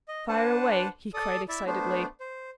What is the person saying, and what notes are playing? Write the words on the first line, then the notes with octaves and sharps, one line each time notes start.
"Fire away!" he cried excitedly.
D#5
D4 B4 C5 F#5 A5
A4 D5 D#6
E4 D5 E5
A3 B3 D4 C5
C5